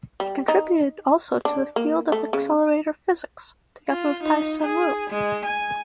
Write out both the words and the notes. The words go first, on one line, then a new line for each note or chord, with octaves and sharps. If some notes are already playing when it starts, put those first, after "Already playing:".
He contributed also to the field of accelerator physics together with Tai Tsun Wu.
G3
D#4
D4
A#3
A3
C#3
F4
D#4
G#4
G#3
G#5